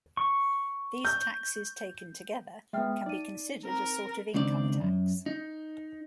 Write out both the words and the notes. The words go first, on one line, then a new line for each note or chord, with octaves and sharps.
These taxes taken together can be considered a sort of income tax.
C#6
G6
G#3 B3 E5 G5 F6
D#4 D5 D#7
C4 A#4 A#5
C#2 D#3 C4 D4 D5
F#2
D#4